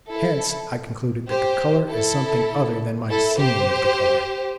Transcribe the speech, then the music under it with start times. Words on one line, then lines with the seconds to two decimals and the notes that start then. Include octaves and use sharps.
Hence I concluded that the colour is something other than my seeing of the colour.
0.10 E4 A4
1.29 G4 C5
1.89 E4 A4
3.09 E4 A4
3.38 G4 C5